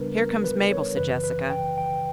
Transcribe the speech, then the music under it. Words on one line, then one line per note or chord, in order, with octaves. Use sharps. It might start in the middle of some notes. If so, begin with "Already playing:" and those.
"Here comes Mabel," said Jessica.
Already playing: C#3 G3 B3 D4 A#4 B4
A#4
B4
C#5
F#2 C#3 E3 B4
B4
G5
G5